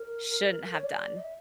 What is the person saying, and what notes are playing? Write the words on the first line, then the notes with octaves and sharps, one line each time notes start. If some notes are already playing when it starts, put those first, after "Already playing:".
shouldn't have done?
Already playing: A#4
C#5
D5
D#5
E5